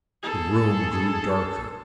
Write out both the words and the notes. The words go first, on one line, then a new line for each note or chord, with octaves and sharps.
The room grew darker.
G#4 A4